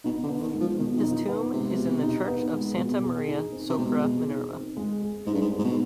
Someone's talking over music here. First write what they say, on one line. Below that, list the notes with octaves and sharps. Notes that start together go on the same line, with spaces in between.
His tomb is in the church of Santa Maria sopra Minerva.
B2 D#4
D3
B3
D#3
G#3
F3
B2 D#3
D#3
D#4
F3
D#3
B3
C3 G#3
B2
D#4
B3
G#3
B2
G#4
D#4
C4
C3
B2 G#3
G#4
D#4
C4
G#3
G#4
G#2 D#4
G2
G#2
C4
G#2
B2